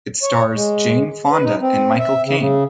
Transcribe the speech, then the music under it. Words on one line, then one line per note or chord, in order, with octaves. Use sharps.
It stars Jane Fonda and Michael Caine.
C#5
G#3
B4
D#4
C4
E5
C#3
C#3